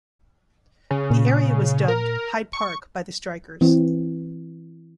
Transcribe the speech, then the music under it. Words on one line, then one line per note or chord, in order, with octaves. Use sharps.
The area was dubbed "Hyde Park" by the strikers.
C#3
A#2
A#4
C#6
E3 C4